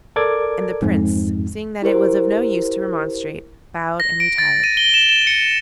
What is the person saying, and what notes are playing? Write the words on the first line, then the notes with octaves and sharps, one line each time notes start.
And the Prince, seeing that it was of no use to remonstrate, bowed and retired.
A4 A#4 D5 D6 G#6
F2 G#2
E4 G4 A#4 C5
A#6
D7
A6
D#7
G7
E7
E7
C#7